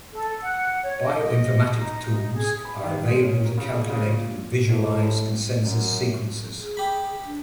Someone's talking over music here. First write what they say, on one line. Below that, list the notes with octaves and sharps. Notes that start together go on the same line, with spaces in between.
Bioinformatics tools are able to calculate and visualize consensus sequences.
A4
F#5
C#5
D#5
D#4
G#4
B5
D#3
G#3
C#4
A#4
C#3
G#4
C#3
A#2
A2
F#2
G#4
G4 B5
D4